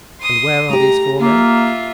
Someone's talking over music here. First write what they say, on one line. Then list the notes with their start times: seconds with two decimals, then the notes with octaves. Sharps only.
"And where are these four men?"
0.21 C6 D#6
0.70 A3 G4 A#5
1.20 A#3 F4 E5